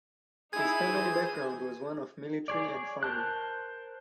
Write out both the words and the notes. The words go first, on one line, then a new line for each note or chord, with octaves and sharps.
His family background was one of military and farming.
D#4 E4 G#4 G#6
E3 C5
G#4 C#5 D5
A#4 C5 A5 F#6